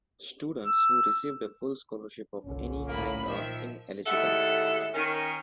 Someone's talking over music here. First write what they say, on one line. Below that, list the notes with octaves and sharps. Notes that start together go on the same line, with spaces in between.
Students who received a full scholarship of any kind are ineligible.
E6
G1 C2 A#2 D3 C#4
A2 A#3 B5
A#2 D#3 F3 E5
D#2 A2 G#3 A4 E5 F#5
D#3 C#4 A#4